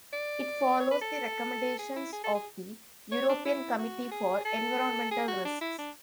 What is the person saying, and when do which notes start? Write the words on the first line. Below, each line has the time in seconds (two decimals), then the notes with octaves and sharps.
It follows the recommendations of the European Community for environmental risks.
0.13 D5
0.80 C#5
0.91 B4
1.01 A4
1.79 G#4
1.96 E4
2.13 G#4
2.24 A4
2.35 G#4
3.12 C#5
3.29 D4
3.45 E4
3.78 F#4
4.11 G#4
4.45 A4
5.11 G#4
5.28 F#4
5.45 D4
5.61 E4
5.78 D4